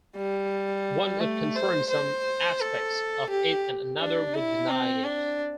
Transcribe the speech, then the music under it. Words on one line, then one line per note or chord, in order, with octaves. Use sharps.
One would confirm some aspects of it and another would deny it.
G3
A3
C5
C5
A4
G4
D4
E4
C4
D4